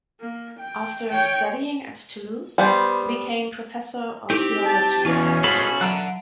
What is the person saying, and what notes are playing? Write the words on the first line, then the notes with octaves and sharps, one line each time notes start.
After studying at Toulouse, he became professor of theology there.
A#3
G5
C#5 G5
G3 B3 C5
C4 D#4 E4 G4 A4
A5
E2 B2 F3 C#4 E4 B4
F#4 G#4 A4 C5 B5
F#3 F#5 A5 A#5 E6